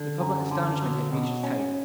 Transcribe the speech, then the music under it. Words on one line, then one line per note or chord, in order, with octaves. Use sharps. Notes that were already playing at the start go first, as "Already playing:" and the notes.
The public astonishment had reached its height.
Already playing: D3
F#2
D3
F#3
B2
C#4